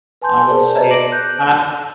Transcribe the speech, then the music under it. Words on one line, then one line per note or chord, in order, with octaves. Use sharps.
I would say it has
B4 G#5 A5 C6 G6
G#4 A#4 C5 D5 A5
B4 D5 D#5 A5 A#5
D6 A#6 D7 F#7
F#6 G6